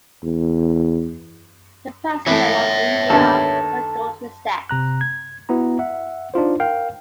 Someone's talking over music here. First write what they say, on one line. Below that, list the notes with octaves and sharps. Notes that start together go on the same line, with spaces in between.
The President of India condoled his death.
E2
E3 A3 C#5 E5
D#2 D3 B3 A4
C3 A#5 F#6
G#6
B3 E4 F#4 A#5
E5 F#5
D4 D#4 F4 C5
A#4 F5 G5